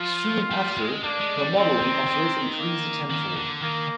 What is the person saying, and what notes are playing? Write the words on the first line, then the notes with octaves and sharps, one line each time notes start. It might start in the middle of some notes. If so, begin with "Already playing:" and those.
Soon after, her modelling offers increased tenfold.
Already playing: F3 F4
G3
G#3
A#3 D4
G#3
G3
F3 C4
D#3
D#3
A#3
D#3
D3
D#3 A#3